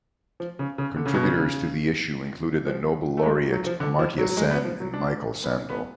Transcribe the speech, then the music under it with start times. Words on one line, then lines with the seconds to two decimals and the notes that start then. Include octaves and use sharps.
Contributors to the issue included the Nobel laureate Amartya Sen and Michael Sandel.
0.40 F3
0.59 C#3
0.78 C#3
0.96 D3
1.06 C#3
1.14 B2
1.23 C#3
2.66 F3
3.17 A3
3.23 G#3
3.52 F#3
3.66 F3
3.80 D3
3.99 F3
4.18 F#3
4.29 F#3
4.37 G#3
4.51 B3
4.65 F3
4.80 F#3
4.94 D4
5.44 B3
5.50 C#4
5.70 B3